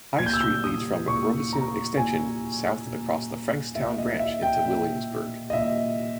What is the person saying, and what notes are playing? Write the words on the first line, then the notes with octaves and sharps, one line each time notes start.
High Street leads from Robeson Extension south across the Frankstown Branch into Williamsburg.
A#2 G#6
G6
E6
G6
D#6
A#2 C#6
A#5
A#2 G#5
A#2
A#2 E5
D#5
E5
G5
A#2 G5
D#5
A#2 E5